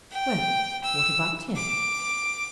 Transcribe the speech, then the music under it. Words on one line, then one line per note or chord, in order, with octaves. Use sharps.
"Well, what about him?"
G5
E6
D6